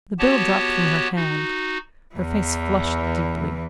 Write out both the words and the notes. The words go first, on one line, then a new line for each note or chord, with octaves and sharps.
The bill dropped from her hand; her face flushed deeply.
B3 F#4 G4 C#5 A5
D#4 F#4
E2 E3